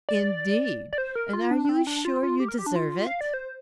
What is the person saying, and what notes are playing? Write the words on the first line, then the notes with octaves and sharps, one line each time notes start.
'Indeed! and are you sure you deserve it?'
D5
D5
C5
A#4
F4
D4
D4
C4
D4
F4
F4
G4
A#4
G4
D4
F4
F5
D5
C5